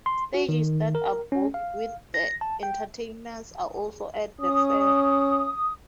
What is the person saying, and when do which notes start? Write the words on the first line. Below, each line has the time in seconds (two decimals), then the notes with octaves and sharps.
Stages that are booked with entertainers are also at the fair.
0.06 C6
0.34 F#4
0.49 D#3
0.95 A#4
1.32 C#4
1.54 F5
2.14 A#6
2.41 A5
2.63 G5
4.40 C#4 D#6